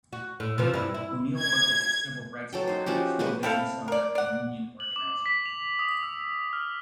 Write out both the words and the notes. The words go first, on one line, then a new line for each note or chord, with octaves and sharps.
O'Neill worked as a civil rights lawyer, small business owner, and union organizer.
F#4
A2
C3 E3 F3
G2 E4
E4
G#6
F#3 A4 G5
D#4 C5
F3 C#4 F#4 G4
G#3 A#3 F#4 B4
C4 E4 A4 F5
A#4 D5
D5 F#5
F#7
D6
D6
B6
F7
D#6
E6
F6